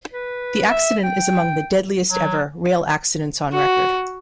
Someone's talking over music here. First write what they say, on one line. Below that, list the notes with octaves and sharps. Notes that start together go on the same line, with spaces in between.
The accident is among the deadliest-ever rail accidents on record.
B4
E5
G5
F#3
F#4